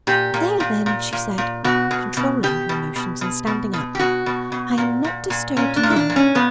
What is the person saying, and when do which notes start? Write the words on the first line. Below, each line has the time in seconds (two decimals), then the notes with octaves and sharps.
"There then," she said, controlling her emotion, and standing up; "I am not disturbed now."
0.07 A#2 G4
0.34 A#2
0.60 A#2
0.86 A#2
1.13 A#2
1.38 A#2
1.64 B2 F#4
1.91 B2
2.17 B2
2.43 B2 G4
2.69 B2
2.96 B2
3.21 B2
3.47 B2
3.73 B2
3.95 G4
3.99 B2 F#4
4.26 B2
4.52 B2
4.78 A#2
5.04 A#2
5.30 A#2
5.56 A#2 C#4
5.76 D4
5.83 A#2
5.90 E4
5.96 D4
6.10 A#2
6.16 C#4
6.35 A#2 B3